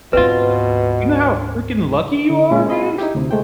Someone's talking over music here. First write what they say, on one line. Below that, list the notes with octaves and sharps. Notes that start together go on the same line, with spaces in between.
You know how freaking lucky you are, man?
D2 G#2 B2 C4 F4 B4 E5
D3
A#2 G#3 C#4
C4 E4 G#4 D#5 B5
D#4 E4 G4
D2 C3
G#3 A3 C5 G5